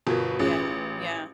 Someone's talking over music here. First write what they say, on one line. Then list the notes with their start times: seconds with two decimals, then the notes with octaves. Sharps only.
Yeah. Yeah.
0.06 G1 B2 F4 A#4
0.39 A1 C#4 F4 G#4